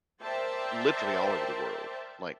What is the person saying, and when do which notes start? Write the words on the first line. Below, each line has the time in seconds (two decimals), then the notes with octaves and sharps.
literally all over the world, like
0.20 A#4 C5 D5 E5 G5 A5